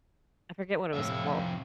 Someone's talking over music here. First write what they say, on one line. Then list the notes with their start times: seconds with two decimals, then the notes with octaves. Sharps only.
I forget what it was called.
0.93 F2 A2 C3 E5